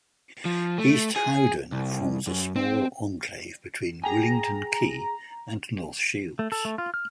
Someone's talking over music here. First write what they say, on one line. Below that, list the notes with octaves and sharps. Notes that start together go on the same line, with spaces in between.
East Howdon forms a small enclave between Willington Quay and North Shields.
F3
A3
G#4
C2
F#2
C4
G#4 G5 G#5 A#5
A3
A4
A3
F4
F6